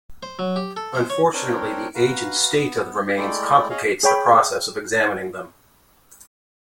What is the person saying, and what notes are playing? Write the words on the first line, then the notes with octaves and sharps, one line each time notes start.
Unfortunately the age and state of the remains complicates the process of examining them.
C5
F#3
G4
A4
C5
C#5
C4 D4 A#4 C#5 G5
F#4 B4 F5 A#5
B3
G#3 A3 E4 D5 G5
G#4 C#5 D#5 F5
G#4 C#5 G5 B5